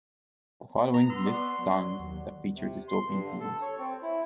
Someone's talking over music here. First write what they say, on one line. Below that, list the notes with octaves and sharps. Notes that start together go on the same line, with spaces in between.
The following lists songs that feature dystopian themes.
B3 A#5
C6 E6
D5 F#5 C#6
F#3
D#2
C3
C6
G2
D3
A4
C#5
C4
E4